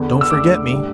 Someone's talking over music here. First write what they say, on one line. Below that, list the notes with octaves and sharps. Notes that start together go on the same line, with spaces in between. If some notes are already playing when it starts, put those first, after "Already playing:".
"Don't forget me."
Already playing: E2 D3 B3
E6
E2 D3 A3 D4 D6
A2 G3 D4